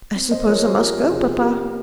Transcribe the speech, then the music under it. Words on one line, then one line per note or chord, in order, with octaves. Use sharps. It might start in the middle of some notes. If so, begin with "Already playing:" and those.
"I suppose I must go, papa?"
C4
C5 D#5
F3 A#4 C#5
G#4 C5
F3 G4 A#4
G4
C3 F4 G#4
A#3 G4 A#4